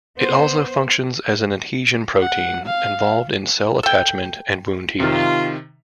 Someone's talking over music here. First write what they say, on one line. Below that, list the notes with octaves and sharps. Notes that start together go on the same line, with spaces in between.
It also functions as an adhesion protein, involved in cell attachment and wound healing.
B3 C5
F#5
F5
A4 G5
C3 D#3 F4